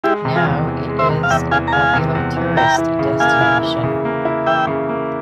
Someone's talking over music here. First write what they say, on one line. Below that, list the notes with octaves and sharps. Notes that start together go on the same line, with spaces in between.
Now it is a popular tourist destination.
G#3 E4 G4
C3
F4 G#4
E2
E3
G#3
C5 E5
C3
F5
E2 E5 G5
E3 F5 G#5
A#5
G#3 F5 G#5
C3
E2
E3
E4 G5 A#5
E3
C#3
A#3 F5 G#5
E4
E3
C#3
A#3
E4
E3 E5 G5
C#3
A#3